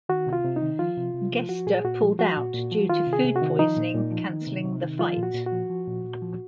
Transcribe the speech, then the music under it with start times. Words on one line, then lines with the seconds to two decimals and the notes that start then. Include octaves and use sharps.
Gesta pulled out due to food poisoning cancelling the fight.
0.09 D#3 F#4
0.27 C3
0.33 F4
0.45 C3
0.56 D#4
0.62 D#3
0.79 F3 F4
0.97 C3
1.14 C3
1.32 F3
1.49 F3 F#4
1.67 A#2 G#4
1.85 A#2 F#4
2.02 F3
2.19 F3 F#4
2.37 A#2
2.54 A#2
2.71 F3
2.89 D#3 F4
3.07 C3
3.13 G#4
3.25 C3
3.36 F#4
3.42 D#3
3.59 F3 D#4
3.77 A#2
3.95 A#2
4.12 F3
4.29 D#3
4.47 C3
4.65 C3
4.82 D#3
4.99 F3 F4
5.17 A#2
5.23 F#4
5.34 A#2
5.46 F#4
5.52 F3
5.70 F3
5.87 A#2
6.04 A#2
6.22 F3